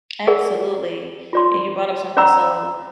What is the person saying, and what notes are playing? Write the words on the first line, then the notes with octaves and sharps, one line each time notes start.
Absolutely, and you brought up something so,
G#4 A#4 D5 F#5
F4 D5 C6
C#4 D5 F#5 A#5 B5 E6